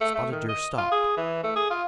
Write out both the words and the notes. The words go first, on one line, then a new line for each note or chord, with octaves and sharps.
Spotted Deer stopped.
A3
A3
D#3
D#5
F4
G#4
E3
A3
G#4
F4